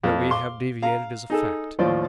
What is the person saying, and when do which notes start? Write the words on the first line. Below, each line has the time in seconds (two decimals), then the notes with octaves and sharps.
That we have deviated is a fact.
0.04 F2
0.30 F5 C6 D6
0.82 F5 A#5
1.30 D#4 G#4 A4
1.79 D#2 A2 F3 F4 C5 D5